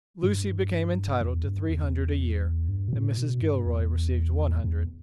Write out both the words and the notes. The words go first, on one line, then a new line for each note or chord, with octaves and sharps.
Lucy became entitled to three hundred a year, and Mrs. Gilroy received one hundred.
G2
E2
G2
E2
G2
B2
A2
B2
G2
E2
E2